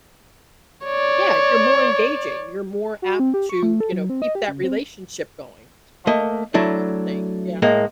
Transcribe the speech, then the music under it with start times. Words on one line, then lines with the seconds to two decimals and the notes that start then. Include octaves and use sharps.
yeah, you're more engaging, you're more apt to, you know, keep that relationship going- is probably a better way of saying it, yeah.
0.86 C#5 D5
3.02 F#4
3.19 C4
3.34 G4
3.49 C#6
3.63 A3
3.80 A4
3.92 F#3
4.10 C4
4.22 D#5
4.35 G4
4.48 C#3
4.64 C4
6.07 A3 A#3 D#5
6.54 F#3 A3 D4 E4
7.62 A2 G#3 A#3